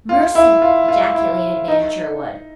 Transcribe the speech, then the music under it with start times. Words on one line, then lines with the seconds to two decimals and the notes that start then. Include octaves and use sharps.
"Mercy!" ejaculated Nan Sherwood.
0.09 F4
0.35 E4
0.62 F4
0.88 F4
1.14 E4
1.68 D#4